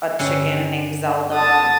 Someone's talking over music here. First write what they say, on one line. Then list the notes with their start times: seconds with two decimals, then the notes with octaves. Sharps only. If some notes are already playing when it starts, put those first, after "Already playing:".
a chicken named Zelda,
0.19 G2 D3 C#4
1.34 A5 D#6